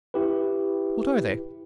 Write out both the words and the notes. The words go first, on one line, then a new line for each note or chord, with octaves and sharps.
"What are they?"
E4 G4 B4